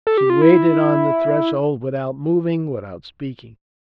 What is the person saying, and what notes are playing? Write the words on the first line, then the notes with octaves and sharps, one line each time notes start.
She waited on the threshold without moving, without speaking.
A4
G4
F4
E4